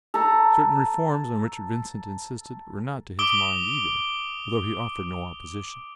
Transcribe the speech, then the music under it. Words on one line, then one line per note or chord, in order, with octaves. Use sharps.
Certain reforms on which Vincent insisted were not to his mind either, although he offered no opposition.
A4 A#5
D6 D#6 D7 G7